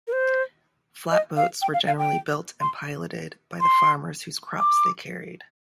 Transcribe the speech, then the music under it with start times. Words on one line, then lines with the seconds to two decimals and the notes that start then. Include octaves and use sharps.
Flatboats were generally built and piloted by the farmers whose crops they carried.
0.07 A#4
0.13 C5
1.11 D#5
1.37 F5
1.62 G5
1.74 F5
1.87 F5
1.99 G5
2.61 C6
3.61 C6
4.59 D6